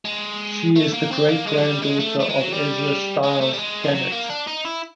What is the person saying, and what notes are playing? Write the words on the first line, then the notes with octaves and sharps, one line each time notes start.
She is the great-granddaughter of Ezra Stiles Gannett.
G#3
A3
A#3
C4
A#3
G#3
F#3
G3
G#3
A3
A3
G#3
F#3
G3
G#3
A3
G3
G#3
F3
F#3
A#3
D4
D#4
E4